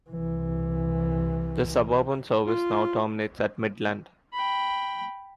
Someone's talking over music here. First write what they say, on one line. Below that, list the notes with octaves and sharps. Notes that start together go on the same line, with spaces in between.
The suburban service now terminates at Midland.
C2 E3
F4
G5 B5